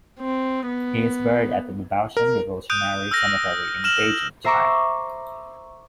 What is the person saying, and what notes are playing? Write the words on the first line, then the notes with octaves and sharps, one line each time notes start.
He is buried at the Babaoshan Revolutionary Cemetery in Beijing, China.
C4
B3
A#4
D#6 F#6 G6 D7 D#7
E6 F6 G6 A#6
F6 E7 F#7
C5 E5 A#5 C#6 D6